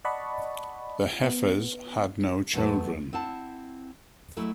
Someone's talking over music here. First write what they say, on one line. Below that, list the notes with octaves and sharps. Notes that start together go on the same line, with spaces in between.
The Heffers had no children.
D5 D#5 F#5 A5 B5 C#6
B3
E2 F#3 A3 B4 A5
C4 E4 F#5 A5
F#3 G#3 A3 E4